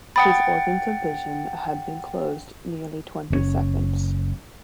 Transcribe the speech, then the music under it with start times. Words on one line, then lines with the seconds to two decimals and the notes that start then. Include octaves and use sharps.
His organs of vision had been closed nearly twenty seconds.
0.16 F#5 G5 B5 D#6 A6
3.30 F#1 C3 C#4